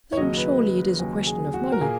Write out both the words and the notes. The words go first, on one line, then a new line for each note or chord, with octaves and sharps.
"Then surely it is a question of money."
C#5
D#2 C#3 F#3 D#5
B4
B4
B4
D#2 C#3 F#3 G#4
G#4
F#4
A#4
A#2 A#3 G#4